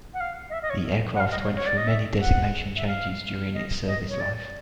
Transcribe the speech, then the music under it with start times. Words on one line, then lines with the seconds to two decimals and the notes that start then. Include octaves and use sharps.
The aircraft went through many designation changes during its service life.
0.14 F#5
0.20 F5
0.50 D#5
0.53 E5
0.62 D#5
0.70 C#5
1.15 F#5
1.20 F5
1.31 D#5
1.43 C#5
1.56 C#5
1.66 D5
1.77 D#5
1.87 E5
2.21 F#5
2.77 E5
2.87 F5
3.54 D#5
3.87 D#5
4.09 C#5
4.20 D5